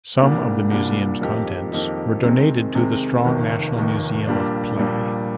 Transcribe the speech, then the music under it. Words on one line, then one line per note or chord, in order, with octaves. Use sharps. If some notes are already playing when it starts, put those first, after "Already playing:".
Some of the museum's contents were donated to The Strong National Museum of Play.
C2 A#2 G3 A#3 D4
C2 A#2 G3 A#3 D4
F2 D#3 A#3 D#4 G4
F2 D#3 A#3 D#4 G4
C3 D#3 G#3 C4
C3 D#3 G#3 C4
F1 D#2 D#3
F1 D#2 D#3
A#1 A#2 G3 A#3 D4
A#1 A#2 G3 A#3 D4